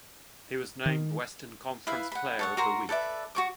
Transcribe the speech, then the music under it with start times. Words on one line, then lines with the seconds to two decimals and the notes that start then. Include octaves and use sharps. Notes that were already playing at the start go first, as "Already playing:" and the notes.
He was named Western Conference Player of the Week.
0.86 D#3
1.87 E4 B4 E5 F5
2.12 F#5 B5
2.39 A4 C#5 F#5
2.57 F#4 A#4 A#5 C6
2.89 A4 B4 D5 E5
3.35 F#4 C#6 D6